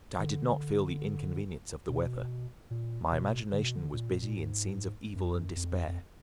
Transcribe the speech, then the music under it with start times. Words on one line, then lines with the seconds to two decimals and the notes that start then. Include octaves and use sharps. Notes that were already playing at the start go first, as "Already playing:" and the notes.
But I did not feel the inconvenience of the weather; my imagination was busy in scenes of evil and despair.
0.19 D#3
0.26 D3
1.89 B2
2.71 A#2
3.12 B2
3.52 D3
3.63 B2
3.75 D3
3.94 A#2
4.22 A#2
4.35 G#2
5.16 F#2
5.25 F2
5.35 F#2
5.56 F2
5.88 F2